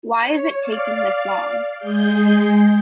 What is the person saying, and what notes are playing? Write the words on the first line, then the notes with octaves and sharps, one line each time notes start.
Why is it taking this long?
C#5
D5 F5
G#3 G#4 G6